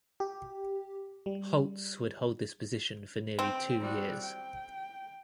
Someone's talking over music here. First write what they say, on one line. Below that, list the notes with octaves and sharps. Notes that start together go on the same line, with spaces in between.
Holtz would hold this position for nearly two years.
G4
G3
C4 G5
G3 F#4
G5